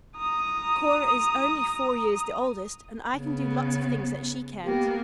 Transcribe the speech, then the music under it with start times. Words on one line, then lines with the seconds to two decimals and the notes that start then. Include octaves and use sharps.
Cora is only four years the oldest, and I can do lots of things that she can't.
0.16 A#5 D#6
3.16 C#3 B3
4.65 A#3 B3 G4